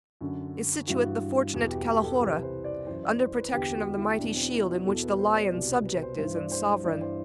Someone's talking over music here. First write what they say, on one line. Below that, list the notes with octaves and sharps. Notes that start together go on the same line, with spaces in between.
Is situate the fortunate Calahorra, Under protection of the mighty shield In which the Lion subject is and sovereign.
F#2 D3
G2 E3 F#4
E2 B2 F#4
G4
G4
A4
C2 C3 E3 B4
C5
D5
F#2 E3 C5
D5
C5
B4
E2 D3 G4
F#4
E4
E2 B2 D4
C4
E4
F#4
E2 B2 A4
B4
C5
D5
C2 B2 D5
B4
C5
G2 E3 C5
D5
C5
C5
G2 E3 D5
C5